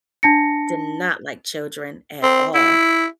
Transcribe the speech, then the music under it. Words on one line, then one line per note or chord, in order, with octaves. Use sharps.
did not like children at all.
D4 A5 A#6 C#7
C4
E4